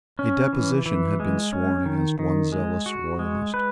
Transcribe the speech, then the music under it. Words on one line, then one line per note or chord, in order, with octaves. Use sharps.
A deposition had been sworn against one zealous royalist.
C#4
E3
E3
G#3
C#4
D#3
D#3
G#3
F#4
G#3
B4